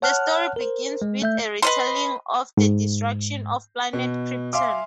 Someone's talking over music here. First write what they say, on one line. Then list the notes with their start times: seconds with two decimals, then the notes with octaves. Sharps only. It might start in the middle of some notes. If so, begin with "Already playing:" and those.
The story begins with a retelling of the destruction of planet Krypton.
0.02 C#5 F#5 A5 F6 F#6
0.56 A#4 C5
1.02 G#3
1.22 A3 E5 G6
1.62 B4 D#5 C6
2.57 G#2
3.93 B2
4.53 E5 F5 G#5 C6 D6